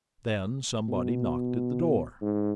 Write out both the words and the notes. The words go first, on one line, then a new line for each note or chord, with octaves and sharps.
Then somebody knocked at the door.
B2
G#2